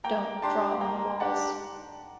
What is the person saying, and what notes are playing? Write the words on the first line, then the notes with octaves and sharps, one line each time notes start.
Don't draw on the walls.
A#3 G5 A#5
D4 G4 A5 C6
A#3 G5 A#5
D4 G4 F#5 A5